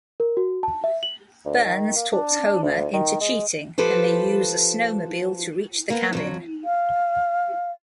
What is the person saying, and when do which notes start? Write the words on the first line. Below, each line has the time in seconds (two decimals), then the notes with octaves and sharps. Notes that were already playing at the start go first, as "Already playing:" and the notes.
Burns talks Homer into cheating and they use a snowmobile to reach the cabin.
0.20 A#4
0.37 F#4
0.63 A5
0.84 E5
1.03 F#7
1.45 D2
1.65 D#3
1.96 A#3
2.12 D4
2.63 D2
2.93 D#3
3.20 G#3
3.78 F3 G4 A4 B4 C5
5.90 A#3 B3
6.13 F2 D#3 F#3
6.65 F5